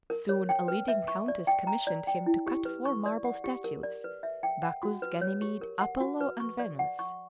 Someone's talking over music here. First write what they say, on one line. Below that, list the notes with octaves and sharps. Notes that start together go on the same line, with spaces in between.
Soon a leading countess commissioned him to cut four marble statues,--Bacchus, Ganymede, Apollo, and Venus.
A#4
C#5
G5
B4
E5
C#6
D5
G5
A#5
D5
G5
E4
G4
B4
C#6
D5
F#5
G4
A#4
D5
B4
E5
G5
F#5
F#4
B4
C#5
G4
A#4
F#5
F#4
B4
C#6
D5
F#5
C#6